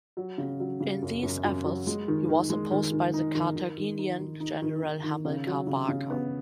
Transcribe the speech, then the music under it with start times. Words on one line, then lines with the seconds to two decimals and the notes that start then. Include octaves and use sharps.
In these efforts, he was opposed by the Carthaginian general Hamilcar Barca.
0.17 F#3
0.38 C#3
0.60 F#3
0.81 C#3
1.02 F#2
1.23 F#2
1.44 F#2
1.65 F#3
1.87 G#3
2.08 D#3
2.29 D#3
2.50 G#3
2.71 D#3
2.92 D#3
3.14 D#4
3.35 D#3
3.56 D#3
3.78 D#3
3.98 D#4
4.19 D#3
4.40 D#4
4.62 D#3
4.83 D#4
5.04 D#3
5.25 C#3
5.47 F#3
5.67 C#3
5.89 C#3
6.10 B3